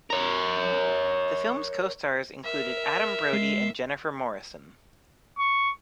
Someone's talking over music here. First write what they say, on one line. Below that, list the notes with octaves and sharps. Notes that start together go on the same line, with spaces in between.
The film's co-stars included Adam Brody and Jennifer Morrison.
A#4 C#5
A#4 E5
G#3 C7
C#6